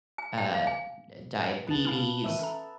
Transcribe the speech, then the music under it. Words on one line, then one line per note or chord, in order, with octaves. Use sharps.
uh, d diabetes.
G#5
G5
F5
G#5
B3 A5
C#4 E4 F5
D#3 E3 E5 D#7
C#4 A4 A#5